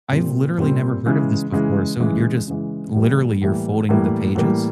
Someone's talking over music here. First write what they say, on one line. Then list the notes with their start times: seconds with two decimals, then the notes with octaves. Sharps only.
I've literally never heard of this before, so, you're, just literally, you're folding the pages?
0.11 A#2 G3 C4
0.58 A#2 G3 C4
1.06 C#3 E3 G#3
1.52 C#3 E3 G#3
2.00 C#3 E3 G#3
2.47 C#3 E3 G#3
2.94 A2 E3 G3 A#3
3.41 A2 E3 G3 A#3
3.89 A2 E3 G3 A#3
4.35 A2 E3 G3 A#3